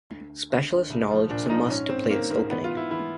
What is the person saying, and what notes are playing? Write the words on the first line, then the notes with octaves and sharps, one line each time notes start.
Specialist knowledge is a must to play this opening.
D2
D2
D2
D2
C2
F3
A#2 D4
F3 D#4
G#2 C#4
G#2 C4
D#3 A#3
G#2 A#3
E3 B3
F4
G#2
E4
E3 E4